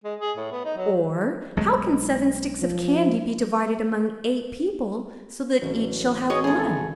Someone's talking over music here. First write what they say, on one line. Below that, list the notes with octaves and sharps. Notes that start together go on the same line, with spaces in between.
Or, how can seven sticks of candy be divided among eight people so that each shall have one?
G#3
G#4
A2
B3
D#4
F#3
B1 G#3 A3
F3
A1 F#2 A3
B2 G#4 C#5 D#5
G#1 G#4 A4